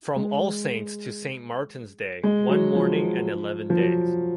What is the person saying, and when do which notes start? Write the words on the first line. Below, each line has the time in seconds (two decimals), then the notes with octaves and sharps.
From All Saints to St. Martin’s Day, one morning and eleven days.
0.16 G#3
2.23 G#3
2.49 F#3
2.75 F3
3.70 F3
3.79 F#3